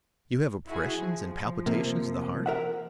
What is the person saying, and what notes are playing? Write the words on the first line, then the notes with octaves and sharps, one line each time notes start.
You have oppressions and palpitations of the heart?
E4 F#4 G#4
F3
C3 A#3
A#4 E5 F#5